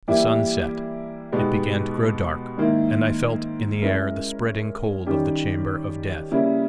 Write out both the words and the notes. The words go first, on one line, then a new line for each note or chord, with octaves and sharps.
The sun set; it began to grow dark, and I felt in the air the spreading cold of the chamber of death.
E3 G3 A#3 E4 G4
B2 G#3 B3 D#4 G4
G#2 D#3 A#3 E4
G#3 C#4 E4 A#4
D#3 G3 C#4 G4
C#3 G3 A#3 E4